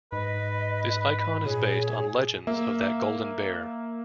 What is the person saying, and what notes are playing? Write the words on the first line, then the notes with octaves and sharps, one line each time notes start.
This icon is based on legends of that golden bear.
G#2 B4 D#5
A#2 G#4 C#5
A#3 E5